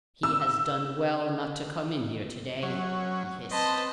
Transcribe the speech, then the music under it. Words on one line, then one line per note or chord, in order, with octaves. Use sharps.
"He has done well not to come in here to-day!" he hissed.
E6
F#3 C#4
C4 B4 D#5 A5